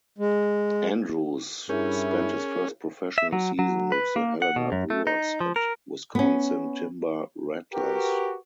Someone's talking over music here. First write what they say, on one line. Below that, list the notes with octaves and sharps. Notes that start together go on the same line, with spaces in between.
Andrews spent his first professional season with the Helena Brewers and Wisconsin Timber Rattlers.
G#3
G2 C#4 E4 G#4 A#4 G6
E5
F#3
F#3
B4
A#3
F#5
B2
F#2
A3
D#4
F3
A#4
B3 C#4
F#4 G4 A#4 B4